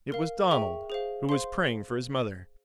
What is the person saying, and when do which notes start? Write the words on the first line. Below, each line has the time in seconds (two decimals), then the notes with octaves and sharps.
It was Donald who was praying for his mother.
0.12 A#4 F5
0.51 G#4 E5 G5 C#6
0.90 G#4 C5 F5
1.29 C5 F5 C6